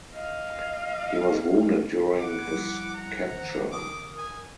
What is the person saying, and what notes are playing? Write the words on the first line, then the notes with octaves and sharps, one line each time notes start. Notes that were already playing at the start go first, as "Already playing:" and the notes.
He was wounded during his capture.
D#5 F5
E4 F#5 D6
F3 G3
A#5
A#1 D3 E3 C5
A#4 D6 D#6
G#5